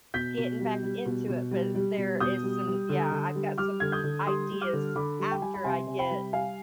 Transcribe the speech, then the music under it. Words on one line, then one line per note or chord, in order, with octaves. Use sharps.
getting back into it, but there is some yeah, I've got some ideas after I get
B2 G6 B6
B2
G3
G3
B2
B2
G3
G3
B2
B2 D#6 G6
G3
G3
D3
D3
G3
G3 D6 F6
D3 G#6
D#6 G6
D3
G3 C6 D#6
G3
D6 F6
D3
D3 B5 D6
G3
G5
G3 G#5
B5
C3 G#5 C6
C3
G5 B5
G3
G3 F5 G#5